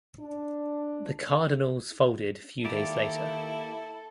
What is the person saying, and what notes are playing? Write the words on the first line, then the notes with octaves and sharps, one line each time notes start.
The Cardinals folded few days later.
D4
D#3 A#3 E4 G4 A4 D5